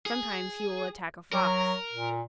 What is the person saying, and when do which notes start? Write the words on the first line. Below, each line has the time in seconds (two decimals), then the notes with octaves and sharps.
Sometimes he will attack a Fox.
0.06 G#4
1.33 F#3 A#4
1.93 A#2